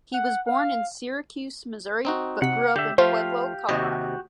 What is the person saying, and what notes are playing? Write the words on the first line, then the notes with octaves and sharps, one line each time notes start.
He was born in Syracuse, Missouri, but grew up in Pueblo, Colorado.
F#5
F5
C4 D#4 F#4
C3 F#5 B6
D3 G4 E5
F3 A3 F4 G4 C5 F5
D#2 C3 F#4 G4 D#5